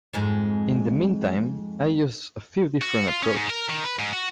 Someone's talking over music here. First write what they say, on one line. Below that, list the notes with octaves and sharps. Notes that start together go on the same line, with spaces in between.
In the meantime, I use a few different approaches.
F2 G#2 G#3
F#4
F4
C#4
G#2
A#4
D#3
B4
G#2
F#4